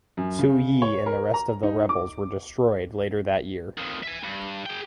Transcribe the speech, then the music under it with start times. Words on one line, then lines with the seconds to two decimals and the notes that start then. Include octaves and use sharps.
Su Yi and the rest of the rebels were destroyed later that year.
0.17 F#2
0.39 C#3
0.82 C#5
1.06 A#4
1.34 A#5
1.63 D#4
1.89 D6
3.78 F2 D#3
4.03 E5 G#5
4.24 G2
4.66 G#4 G5